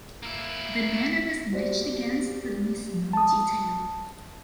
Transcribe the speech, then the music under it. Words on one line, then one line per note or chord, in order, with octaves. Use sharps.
The men I was matched against would miss no detail.
A#3 E4
F#4 G4 C5 D5
A5 D#6